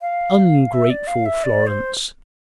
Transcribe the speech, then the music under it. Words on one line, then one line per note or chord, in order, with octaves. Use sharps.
Ungrateful Florence!
F5
E5
D5
F5
E5
D5
C5